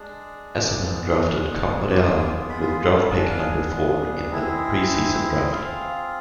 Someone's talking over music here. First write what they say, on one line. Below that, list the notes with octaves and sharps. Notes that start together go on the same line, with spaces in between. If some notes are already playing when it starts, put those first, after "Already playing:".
Essendon drafted Camporeale with draft pick number four in the pre-season draft.
Already playing: G#3 D4 G#4
G#3 B3 D4 G#4 D6
E6
F6
G#3 B3 F4 G#4 D6
D6
B5
G#5
B3 D4 G#4 A5
G#5
F5
G#5
G#3 C4 E4 G#4
C4 F4 G#4 F5